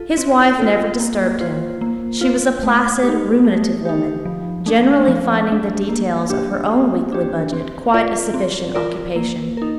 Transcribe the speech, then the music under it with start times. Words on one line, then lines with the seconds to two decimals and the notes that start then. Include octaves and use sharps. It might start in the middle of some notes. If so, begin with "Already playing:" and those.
His wife never disturbed him; she was a placid, ruminative woman, generally finding the details of her own weekly budget quite a sufficient occupation.
Already playing: F4 A4
0.17 C4
0.59 F4 A4
1.00 A#3
1.41 F4 C5
1.81 A#3
2.21 F4 C5
2.63 A3
3.03 D#4 G4
3.45 A3
3.85 D#4 G4
4.25 F3
4.66 A3 D4
5.08 F3
5.49 A3 D4
5.89 A#3
6.30 D4 G4
6.71 A#3
7.12 D4 G4
7.53 C4
7.94 F4 A#4 D5
8.34 C4
8.75 F4 A#4 D5
9.16 A#3
9.57 D#4 A#4